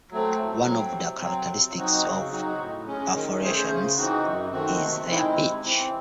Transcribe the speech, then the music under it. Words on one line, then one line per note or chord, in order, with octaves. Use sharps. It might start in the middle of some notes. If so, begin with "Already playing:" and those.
One of the characteristics of perforations is their pitch.
F#3 A3 C4
A2
F#3 C4
C3
F#3 C4
C3
F#3 C4 D#4 F#4
C#3
F#3 C4 D#4 F#4
A2
G#3 C#4
D#3
A3 C#4 G#4 C5
C#3
E3 C4 D#4 F#4
F#2
D#3 A3 C4 F#4
C3
D#3 G#3 C4 E4
C3
E3 C4